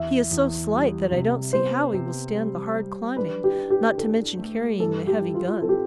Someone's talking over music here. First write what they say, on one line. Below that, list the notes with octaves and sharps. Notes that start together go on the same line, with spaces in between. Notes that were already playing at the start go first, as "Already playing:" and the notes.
He is so slight that I don't see how he will stand the hard climbing, not to mention carrying the heavy gun.
Already playing: E2 E5
E2
G3
C3
B3 C5
C3
G3
G3
D4 B4
G4
D4
G4
D4 A4
A3
G2 A4
G4
E4
F4
C4 A4
G4